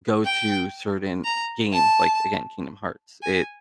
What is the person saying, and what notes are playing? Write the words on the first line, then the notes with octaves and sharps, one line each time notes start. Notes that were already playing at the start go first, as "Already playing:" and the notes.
go to certain games, like, again, Kingdom Hearts, it
G5
A#5
A5
G#5